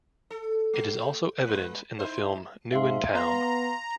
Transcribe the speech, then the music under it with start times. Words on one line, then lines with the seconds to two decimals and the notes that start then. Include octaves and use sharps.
It is also evident in the film "New in Town".
0.30 A4
0.73 A3
1.45 G#3 B4
1.99 D#4 E4 C5
2.72 G#2 E5 F5 C6
3.15 B3 F5 A#5 C6